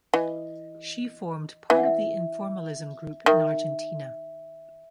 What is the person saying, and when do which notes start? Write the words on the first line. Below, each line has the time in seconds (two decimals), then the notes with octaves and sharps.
She formed part of the Informalism group in Argentina.
0.13 E3 D#5
1.70 E3 E5
1.78 F#5
1.85 E5
3.26 D#3 E5